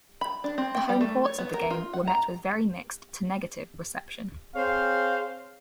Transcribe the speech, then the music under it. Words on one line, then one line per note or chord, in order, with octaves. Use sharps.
The home ports of the game were met with very mixed to negative reception.
B5
D4
C4
G5
G3
A3
C#5
B3
A#4
F4
F#5
A#5
C4 G#4 C5 C#5 F5